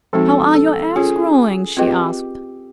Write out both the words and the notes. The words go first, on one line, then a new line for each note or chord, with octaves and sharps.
"How are your eggs growing?" she asked.
F3 G#3 C4 D#4 F#4 A4
A4
C#4 F4 G#4 A4 C#5
C4 F4 G4 G#4 B4 D#5